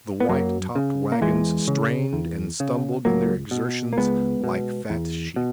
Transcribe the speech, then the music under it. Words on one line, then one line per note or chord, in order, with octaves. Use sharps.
The white-topped wagons strained and stumbled in their exertions like fat sheep.
B3
F#2 F#3 A#3
C#3
A#3
E2 E3 G#3
C#3
E2
C#3
C#2 F#3 A#3
B2
A#3
C#2 G#3 B3
B2
E2
B2